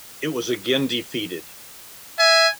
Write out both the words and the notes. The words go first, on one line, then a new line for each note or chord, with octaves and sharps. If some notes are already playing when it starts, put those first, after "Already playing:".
It was again defeated.
E5 G#5